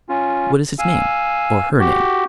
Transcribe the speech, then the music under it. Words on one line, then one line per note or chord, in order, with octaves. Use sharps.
"What is his name--or her name?"
C#4 F4
F5 G#5 E6
F#4 G4